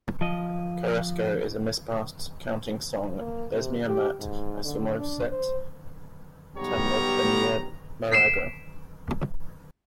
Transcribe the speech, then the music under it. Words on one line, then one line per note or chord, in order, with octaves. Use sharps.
Cairasco is a misparsed counting song, "besmia mat acosomuset tamobenir marago".
F3 D#5
A#3
C3
G4
G#2
D3
D4
C5
B1 G3 B3 G4 C#5 A#5
B6 C7 D7 E7